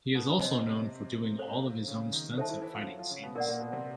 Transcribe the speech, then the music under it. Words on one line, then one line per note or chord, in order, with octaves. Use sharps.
He is also known for doing all of his own stunts and fighting scenes.
B2 B3
C3 C4 C5 D#5 G#5
A4 C5 F5
C#3 C#4
D#3 D#4
D#3 D#4 A4 C5 E5 A5
E3 E4
E3 E4
F3 F4
F#3 F#4
F3 F4
C#3 C#4
B2 B3
A#2 A#3 A#4 D5 F#5
A#2 A#3
B2 B3
C3 C4